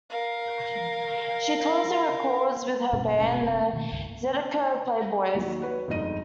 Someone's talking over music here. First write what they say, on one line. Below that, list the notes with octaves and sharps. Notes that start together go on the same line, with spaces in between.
She tours and records with her band, the Zydeco Playboys.
A#4 F5
G2 B2 A#3 C#4
D#1 B2 G#3 C#4
F#1 C3 C4
B2 D#3 F3 A3
C2 G2 C#3
D#2 F#3
F#4 B4 C#5 F#5
G1 F2 G#3 D#4 D#5 D#7